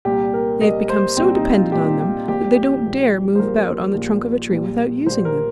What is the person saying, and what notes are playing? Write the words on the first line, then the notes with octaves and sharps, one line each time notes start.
They have become so dependent on them that they don't dare move about on the trunk of a tree without using them.
C2 A#2 G3 G4
A#4
C2 A#2 G3 D#5
C5
C2 A#2 G3 C4
D#4
F4
C2 A#2 G3 G4
G4
A#1 A#2 G3 G4
G4
A#1 A#2 G3
C5
A#1 A#2 G3 A#4
A#1 A#2 G3
A#1 A#2 G3
A#1 A#2 G3 C5
A#4